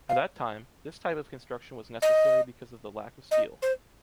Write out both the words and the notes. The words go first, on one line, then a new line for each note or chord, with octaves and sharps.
At that time, this type of construction was necessary because of the lack of steel.
F5
D#5
D#5
C5